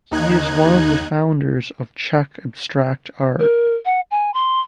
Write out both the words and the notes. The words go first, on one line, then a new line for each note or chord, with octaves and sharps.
He is one of the founders of Czech abstract art.
D#2 D#4 F#6 G#6
A#4
F#5
G#5
C6